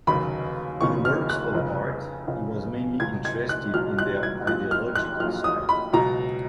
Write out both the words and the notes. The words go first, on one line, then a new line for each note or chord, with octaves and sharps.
In works of art he was mainly interested in their ideological side.
F1 D#2 C#3 F#3 B5
F1 D#2 C#3 F#3 C#6
F6
F#6
F1 F2 C#3
F1 F2 C#3
C#2 B2 F#3 G#6
G#6
F#6
C#2 B2 F#3 F6
F#6
G#6
A#1 A#2 F#3 F#6
F6
F#6
A#1 A#2 F#3 F6
D#6
B5
C#2 B2 F#3 A#5